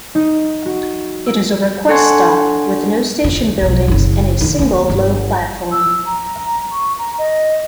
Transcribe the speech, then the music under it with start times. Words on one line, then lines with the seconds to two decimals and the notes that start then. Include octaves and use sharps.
It is a request stop with no station buildings and a single low platform.
0.15 D#4
0.66 F#4
1.26 E6
1.88 D4 A4 C#5 F#5 G#5 C6
3.24 F2 D3
3.62 B1 F2
3.88 F#1 C#3
4.41 D#3 D4
4.59 A3 A#3
4.90 G1
5.72 E6
6.06 A#5
6.71 C#6
6.98 A#5
7.18 D#5